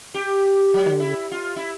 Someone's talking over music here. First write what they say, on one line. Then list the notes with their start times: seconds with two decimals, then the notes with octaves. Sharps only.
Oh ye
0.14 G4
0.74 F#3
1.00 E4
1.31 F4
1.56 E4